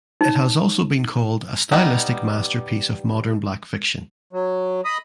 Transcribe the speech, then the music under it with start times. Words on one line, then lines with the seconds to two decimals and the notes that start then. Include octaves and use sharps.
It has also been called "a stylistic masterpiece of modern black fiction".
0.21 D#4 C#5
1.72 G3 B3 D#4
4.33 F#3
4.85 D#5 B5 D#6